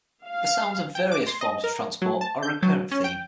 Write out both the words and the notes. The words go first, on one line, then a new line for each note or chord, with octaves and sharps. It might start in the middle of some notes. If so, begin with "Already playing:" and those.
The sounds of various forms of transport are a recurrent theme.
F5
G5
D6
C6
D#5
A#4
F#3
A5
G6
F#3
C#4
G5